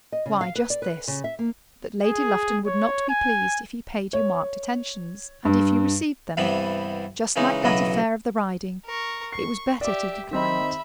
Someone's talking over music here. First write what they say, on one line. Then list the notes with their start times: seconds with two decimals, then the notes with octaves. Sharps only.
"Why, just this: that Lady Lufton would not be pleased if he paid you marked attentions, and if you received them;--just like that affair of the riding; it was better to decline it."
0.12 D#5
0.26 C#3
0.41 F5
0.55 B4
0.70 D5
0.82 B4
1.08 C#3
1.24 E5
1.39 A#3
2.04 G#4
2.67 C#5
3.10 G#5
4.13 C#5
5.45 G2
6.37 G2 C3 E3 G3 B3 B5
7.36 C#3 E3 G#3 C#4 D#4
7.63 B1 C#3 E3 F#3 D#5 B5
8.85 A#4 C#6
9.32 C#6 C7
9.81 G4 D5 E5 D6
10.31 D#3 C4 D#4 E5 B5